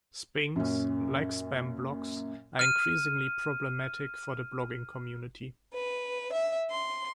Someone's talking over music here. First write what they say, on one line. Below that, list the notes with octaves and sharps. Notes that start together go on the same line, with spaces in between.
Spings, like spam blogs, are increasingly problematic for the blogging community.
F#2 A#2 C#4
F6 D#7
B4
E5
C6